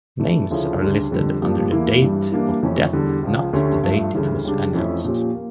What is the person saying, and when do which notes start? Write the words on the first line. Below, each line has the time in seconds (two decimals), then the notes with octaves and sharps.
Names are listed under the date of death, not the date it was announced.
0.20 E3 A3 D4
0.50 D2 C#3 F3 C#4 E4
0.81 D2 C#3 G3 D4 A4
1.11 F2 D3 G3
1.41 G2 F3 A#3 D4 G4
1.72 E2 E3 A#3 E4
2.02 G2 E3 G3
2.32 E3 G3 A#3 D4
2.63 F2 E3 A3 C#4
2.92 E2 D3 G3
3.23 C#2 C#3 F3
3.53 D2 D3 A3 C#4 G4
3.84 G2 F3 A3
4.14 D2 C#3 E3 G3
4.44 C#2 C#3 G3 D4
4.74 F2 E3 A3 C#4 E4
5.04 A#2 F3 C#4 G4
5.35 A#3